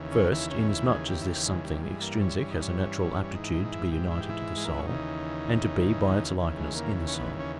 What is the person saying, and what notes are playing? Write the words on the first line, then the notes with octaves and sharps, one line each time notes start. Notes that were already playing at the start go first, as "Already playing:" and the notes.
First, inasmuch as this something extrinsic has a natural aptitude to be united to the soul, and to be by its likeness in the soul.
Already playing: D#2 C#3 E3
C#4
D#2 C#3 E3 E4
C#4
E4
G#4
G4
E4
G4
G#3
G3
G2 E3 G#3
A#3
C#4
C#4
D#4
C#4
C#4
G#2 E3 D#4
D#4
D#4
E4
G4
E4
G4
E4
G#3
A#3
B3
C#4
D#2 C#3 E3 D#4
D#2 C#3 E3
G#3
A#3
C#4
B3
C#4